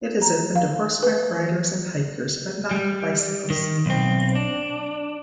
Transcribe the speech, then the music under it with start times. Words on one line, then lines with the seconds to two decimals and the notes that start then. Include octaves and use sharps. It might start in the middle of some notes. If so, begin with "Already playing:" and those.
It is open to horseback riders and hikers but not bicycles.
0.22 A#5
0.56 F5
1.03 B4
1.35 E3
2.71 G3
3.50 D#3
3.86 B1 C4
4.35 D4